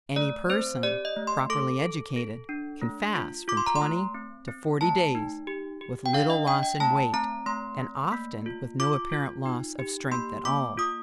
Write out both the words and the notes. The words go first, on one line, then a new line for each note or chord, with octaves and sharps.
Any person, properly educated, can fast from twenty to forty days with little loss in weight, and often with no apparent loss of strength at all.
A3 D5
C4 C5
G4 D5
D#5
A3
C6
A4 D6
A4
A4
D4
A3
F4
F4 D6
C6
A#5
C6
A3
C4
C4
A3 A5
D#4
G4
G4
G5
D4 F5
D#5
D4 G5
G5
A3 A5
C4 A#5
A3 C6
A3
A#3
F4
F4 D6
F4
D#4
G4
A#3 C6
A#3 D6
F4 D#6